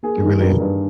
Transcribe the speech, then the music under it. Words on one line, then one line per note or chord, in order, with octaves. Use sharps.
It really is.
A#3 G#4
D#3
G2 G4 A#4
G2